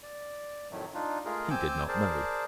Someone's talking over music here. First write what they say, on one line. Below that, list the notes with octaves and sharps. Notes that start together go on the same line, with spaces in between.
He did not know.
D5
F2 A2 D#3 F#3 A3
D4 D#4 F4
G#3 A3 F4 G#4 A#4
C4 G#5 D6 E6 G6
G#4 A#4 C5 D5 A5